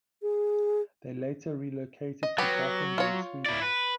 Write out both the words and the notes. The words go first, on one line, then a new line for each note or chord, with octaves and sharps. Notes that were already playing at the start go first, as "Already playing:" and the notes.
They later re-located to Gothenburg, Sweden.
G#4
D#5
F#3 B3 G4 B4
F4 C#5
E4 D5
B4